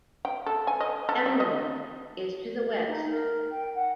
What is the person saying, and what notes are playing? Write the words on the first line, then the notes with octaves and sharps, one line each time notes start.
Emerald is to the west.
G5
A4
G#5
D#5
A4
G3
D#5
D#4
A#4
G5
F#5